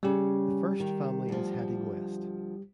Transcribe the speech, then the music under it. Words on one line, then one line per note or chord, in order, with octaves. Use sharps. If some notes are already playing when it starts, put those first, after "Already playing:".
The First Family is heading west.
C#3 G3 C#4 G4
D#3
D2 F3